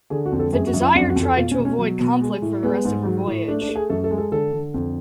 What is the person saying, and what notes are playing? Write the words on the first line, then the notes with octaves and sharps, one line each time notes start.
The "Desire" tried to avoid conflict for the rest of her voyage.
D3 G#4
F#4
F2
A4
F#2 G#4
F#4
F#2
F4
F2 D4
F#4
F2
A4
B2 F4
C#4
B2
C#4
F#3
B2
G#3
A2
G#3 B3
G#2
F#3
A2
A3 D4
D4
A3
G#4
F#2 A4
A4
G#3
A4
D3 A4
D3
F2